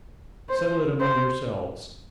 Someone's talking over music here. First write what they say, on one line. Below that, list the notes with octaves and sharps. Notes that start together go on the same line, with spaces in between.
'Settle it among yourselves.
C5
C5